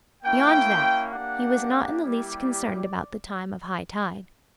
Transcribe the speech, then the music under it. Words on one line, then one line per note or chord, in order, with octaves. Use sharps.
Beyond that he was not in the least concerned about the time of high tide.
A#3 C#4 E4 G5
A#3 D4 G4 F#5
G3 A#3 E4 G4 D5